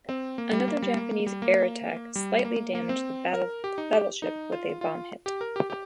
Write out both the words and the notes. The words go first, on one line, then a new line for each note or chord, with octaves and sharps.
Another Japanese air attack slightly damaged the battleship with a bomb hit.
C4
A#3
G3
A#3
G3
A#3
G3
A#3
G3
A#3
A#3
C4
A#4
G4
D#4
G4
D#4
F4
F4
G4
A#4
G4
G4